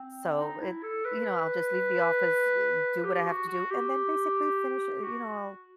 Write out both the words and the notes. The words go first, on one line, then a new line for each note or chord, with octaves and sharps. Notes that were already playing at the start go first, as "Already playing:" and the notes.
so, it you know, I'll just leave the office, eh, do what I have to do, and then basically finish eh, you know, I'll
Already playing: C4
D#4
E4
A4
B4
G4
F#4
F#4
G4
F#4